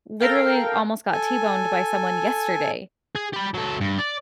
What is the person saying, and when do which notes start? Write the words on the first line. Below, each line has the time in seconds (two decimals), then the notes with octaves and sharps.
literally almost got t-boned by someone yesterday
0.20 A4 A#4 F5 G5
1.13 A4 G#5
3.16 G#4
3.34 G4 B5
3.54 F#3 A4
3.81 G2
3.98 D5